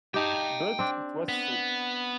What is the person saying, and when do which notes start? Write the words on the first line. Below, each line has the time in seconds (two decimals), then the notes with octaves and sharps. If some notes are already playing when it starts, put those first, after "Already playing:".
But it was so.
0.14 D#4 G4 G5 A5
0.79 C4 D4
1.29 B3